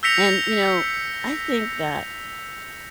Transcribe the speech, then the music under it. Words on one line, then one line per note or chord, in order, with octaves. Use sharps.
and, you know, I think that,
E6 G6 A#6 B6 C#7 F7